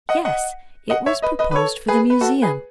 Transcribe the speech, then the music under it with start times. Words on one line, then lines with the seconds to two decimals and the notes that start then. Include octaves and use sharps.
"Yes; it was proposed for the Museum."
0.09 D#5 F#5
0.25 D#5 F#5
0.90 D#5 F#5
1.06 C#5 E5
1.22 B4 D#5
1.39 B4 D#5
1.51 B4
1.55 A4 C#5
1.88 G#4 B4
2.10 B4
2.21 F#4 A4
2.42 G#4 B4